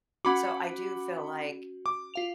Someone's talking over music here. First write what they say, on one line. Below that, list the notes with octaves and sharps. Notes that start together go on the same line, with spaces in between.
So, I do feel like
C#4 F#4 F#5 B5 D6
D6
F4 F5 F7